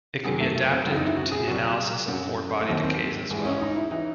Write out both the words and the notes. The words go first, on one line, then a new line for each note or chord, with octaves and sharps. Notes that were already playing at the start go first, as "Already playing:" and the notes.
It can be adapted to the analysis of four-body decays as well.
F#2 D#3 F#3 G#4
A3
A3
C4
F#2 C#3 E3 C4
D#4
E4
F#4
G#4
C2 C3 F#3 F#4
F#2 C#3 F#3
A3
D#2 D#3 F#3 C4
C4
G#2 E3 G#3
C#4
D#4
E4
E3 D#4